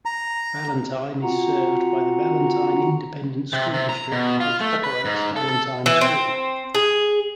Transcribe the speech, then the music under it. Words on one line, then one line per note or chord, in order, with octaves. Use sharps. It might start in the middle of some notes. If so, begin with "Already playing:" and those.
Valentine is served by the Valentine Independent School District which operates Valentine School.
A#5
C4 F4 F#4 F#5 A#5
C3
C3
A#5
B2
F4
A3
B4
G#2
A4
A4
E3
C4
G#4